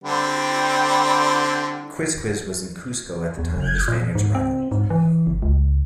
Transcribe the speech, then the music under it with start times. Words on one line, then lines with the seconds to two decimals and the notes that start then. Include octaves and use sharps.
Quizquiz was in Cusco at the time of the Spaniards' arrival.
0.04 D3 G3 C4
3.39 E2
3.56 F#1
3.88 A#2
4.15 G#2
4.35 C4
4.72 G#2
4.90 E3
5.27 G1
5.42 C#2